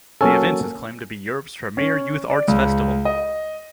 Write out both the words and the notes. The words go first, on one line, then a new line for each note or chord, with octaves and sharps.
The event is claimed to be Europe's premier youth arts festival.
F#3 A#3 C#4 A4 G#5
C#4
D5
C#2
D#5